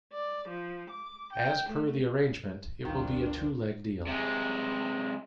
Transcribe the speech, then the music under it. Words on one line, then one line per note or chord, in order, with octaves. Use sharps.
As per the arrangement, it will be a two-leg deal.
D5
F3
D6
G5
A3
G1 D2 B2 D#3 F3 D4 A#4
C3 G#3